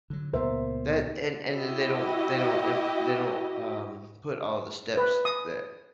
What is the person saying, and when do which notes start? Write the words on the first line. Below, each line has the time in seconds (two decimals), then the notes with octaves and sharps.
That and and then they don't they don't imp they don't, um, put all the steps that
0.10 D3 F#3
0.33 C#2 A#2 B3 A#4 C5 E5
1.53 E4 F#4 G4 D#5
4.97 B4
5.25 D#6